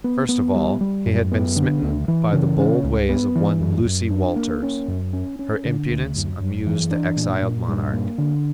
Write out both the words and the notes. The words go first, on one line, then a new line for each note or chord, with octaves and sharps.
First of all, he had been smitten by the bold ways of one Lucy Walters. Her impudence amused the exiled monarch.
B3
B3
G3
G3
F#2
B3
D3
D2
E3
C#3
C#4
C#2
B3
E3
F#2
F#2
D4
A#3
C#4
F#2
C#4
C#4
D3
D2
F#2
F#2
E3
D4
A#2
A#2
G2
A#3
D3